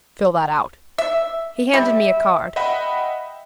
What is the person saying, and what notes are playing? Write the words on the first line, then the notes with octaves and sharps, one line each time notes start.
"Fill that out." He handed me a card.
E5
G3 E5
D#5 E5 F#5 G5 B5